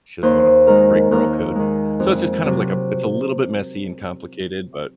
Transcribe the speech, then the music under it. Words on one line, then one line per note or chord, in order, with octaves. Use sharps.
She doesn't wanna break girl code. So it's just kind of like a it's a little bit messy and complicated, but,
D#2 C5
D#3 G#3 A#4
D#2 A#4
D#3 G#3
F2
C3 F#3